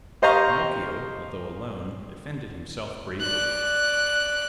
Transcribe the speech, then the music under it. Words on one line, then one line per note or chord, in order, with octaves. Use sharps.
Pinocchio, although alone, defended himself bravely.
G4 C5 D#5 F5 A#5 C#6
D5 F#6